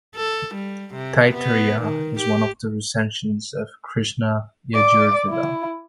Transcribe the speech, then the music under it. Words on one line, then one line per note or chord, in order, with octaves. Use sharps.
Taittiriya is one of the recensions of Krishna Yajurveda.
A4
G3
C3
B3
D#3
G4
D5
E4